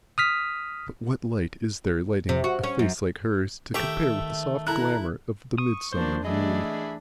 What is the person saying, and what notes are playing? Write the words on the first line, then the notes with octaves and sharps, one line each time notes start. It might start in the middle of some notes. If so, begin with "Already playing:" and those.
But what light is there lighting a face like hers, to compare with the soft glamour of the midsummer moon?
D#6 F6 B6
C3
F#4
C#4
F#2
D#3 A3 G4 E5 G5
E4 A4 A#5 F#6
C#6 D#6
F3 A#3 D4 C5
E3 A3 D4 G#4 D#5 E5 B5